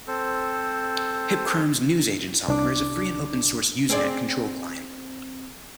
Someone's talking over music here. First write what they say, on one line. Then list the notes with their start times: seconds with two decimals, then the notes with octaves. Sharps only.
HipCrime's Newsagent software is a free and open source Usenet control client.
0.07 C4 A4 C5
2.48 C2 D4 D6
3.89 C4 G#4 D5